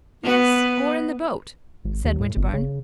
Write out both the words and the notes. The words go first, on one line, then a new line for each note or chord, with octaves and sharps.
"Yes, or in the boat," said Winterbourne.
B3 B4
G#1
D#2
A2
G1
C#3